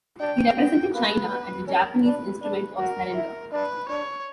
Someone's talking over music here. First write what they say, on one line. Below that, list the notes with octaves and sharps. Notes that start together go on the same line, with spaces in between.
He represented China at the Japanese Instrument of Surrender.
D4 G5
B3
A#3 B4
B3
C#4 A#4
D4 B4
D4 B4
F#4 A#4
E4
D4 B4
D4 C#5